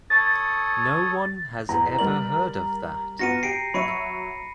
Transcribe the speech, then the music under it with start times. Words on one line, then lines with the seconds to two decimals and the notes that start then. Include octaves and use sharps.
No one has ever heard of that.
0.10 A4 C#5 D#6 A6
1.69 E2 A#5
1.99 G3 A#4 D5 F#7
3.19 B3 F4 F#4 A#6 C#7 D#7
3.43 G4 C7 D7
3.74 F#3 C#5 E5 B5 C#7 D#7